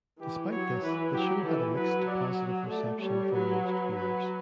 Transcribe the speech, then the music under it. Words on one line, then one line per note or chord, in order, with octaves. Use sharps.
Despite this, the show had a mixed to positive reception from most viewers.
E3 G4
F#3 C#5
E3 B4
F#3 G4
E3 A4
F#3 B4
D5
A3 D5
G3 C#5
F#3 B4
B4
F#3 B4